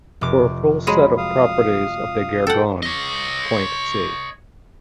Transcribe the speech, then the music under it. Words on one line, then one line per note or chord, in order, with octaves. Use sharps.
For a full set of properties of the Gergonne point see.
F1 D6
F#3 G#3 G#4 B5
F5 D#6
A4 F#5 G5
C#5 D#5